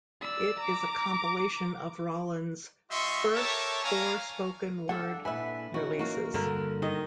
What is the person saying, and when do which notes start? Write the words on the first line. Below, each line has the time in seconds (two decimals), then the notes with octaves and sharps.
It is a compilation of Rollins' first four spoken-word releases.
0.22 D5 E6
0.59 A#5 D6
2.90 G3 F4 D#5 E5 C6 C#6
3.34 G4 A4 A#4 C#5 E5 A5
3.83 A#3 D4 C#5 F5 G#5 A#5
4.89 D4 A4 F#5
5.25 A#2 E4 B4 E5 G#5
5.74 E3 C#4 D#4 F#4
5.99 A#3 F#4 A#4
6.34 G2 D3 A#4
6.82 D#3 D#5